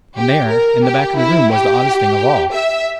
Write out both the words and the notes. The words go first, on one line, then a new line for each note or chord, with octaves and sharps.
And there in the back of the room was the oddest thing of all.
G4
A#4
G4
E4
G4
E5